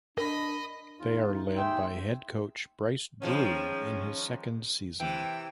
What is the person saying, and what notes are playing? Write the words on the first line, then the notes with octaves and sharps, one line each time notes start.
They are led by head coach Bryce Drew in his second season.
D4 A#4 D#5 B5
E2 D#4 F4
D#2 G#4 E5 G5 C6 E6
D#3 F3 G#3 C#4
C3 E3 G5